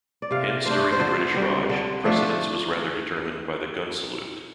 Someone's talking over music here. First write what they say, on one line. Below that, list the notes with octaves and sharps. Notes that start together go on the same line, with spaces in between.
Hence during the British raj, precedence was rather determined by the gun salute.
D5
C3 F5
A3 D4 C5
C5
D3 A4
G3 C4
D3
F3 A3 D4